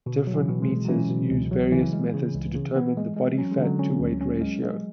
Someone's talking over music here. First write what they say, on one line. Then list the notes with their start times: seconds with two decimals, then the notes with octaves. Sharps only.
Different meters use various methods to determine the body fat to weight ratio.
0.06 B2 D3
0.27 F#3
0.34 E3
0.48 B2
0.62 G#3
0.69 B2
0.85 F#3
0.89 E3 C#4
1.09 B2
1.30 C#2
1.51 F#3
1.72 C#3 E3
1.93 G#3
2.14 C#3
2.34 C#2
2.55 C#3
2.76 B3
2.97 G#3
3.17 G#3
3.38 F#3 C#4
3.51 G#3
3.59 D3
3.64 F#3
3.79 C#4
4.00 D2
4.21 C#4
4.41 G#3
4.63 G#3